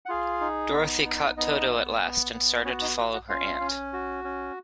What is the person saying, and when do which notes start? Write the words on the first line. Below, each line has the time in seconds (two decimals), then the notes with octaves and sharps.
Dorothy caught Toto at last, and started to follow her aunt.
0.06 F#5
0.09 F4 G#4 F5
0.41 D#4
0.73 B3
1.05 D#4
1.37 B3 D#4 D#5
1.70 B3
2.02 B3
2.33 B3
2.65 C#4 F#4 C#5
2.82 D#4 D#5
2.97 F#4
3.13 F#4 F#5
3.29 C#4 F4 F5
3.60 C#4
3.93 F#4
4.25 C#4